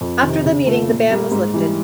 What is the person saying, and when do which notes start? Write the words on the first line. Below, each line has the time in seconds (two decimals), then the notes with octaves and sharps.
After the meeting, the ban was lifted.
0.01 F2
0.23 C3 D#3
0.45 C#3
0.66 F3 A3
0.88 A#2
1.10 G3 A#3
1.31 G#2
1.54 E3 G3